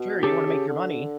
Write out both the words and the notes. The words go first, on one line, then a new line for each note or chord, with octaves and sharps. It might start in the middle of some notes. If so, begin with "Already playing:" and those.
Sure, you wanna make your money.
Already playing: B2
C#3 G4 A4
C#3
D3